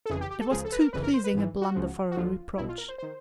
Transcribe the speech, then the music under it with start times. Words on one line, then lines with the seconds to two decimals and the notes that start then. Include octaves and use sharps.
It was too pleasing a blunder for a reproach.
0.06 A4
0.10 G1 F2 C#3 E3 G#4
0.21 G4
0.31 G4
0.41 A4
0.51 C#2 C#3 F3 G#4
0.65 A4
0.72 B4
0.80 A#4
0.93 G1 F2 C#3 E3 B4
1.03 A#4
1.14 C5
1.24 B4
1.33 G#1 G#2 E3
1.62 F#4
1.75 C#2 C#3 F3
2.11 F#4
2.16 D#2 D3 F3 F4
2.57 B1 B2 E4
2.69 F4
2.78 A#4
2.88 C5
2.98 D#3 C5